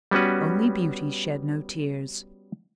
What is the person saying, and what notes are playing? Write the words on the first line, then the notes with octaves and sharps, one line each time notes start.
Only Beauty shed no tears.
G3 B3 C#4 F#4 B4